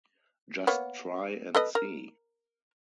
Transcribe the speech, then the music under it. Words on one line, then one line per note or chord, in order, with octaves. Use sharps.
Just try and see.
A#3 B3 C#5
A4 B4 D#5
A#4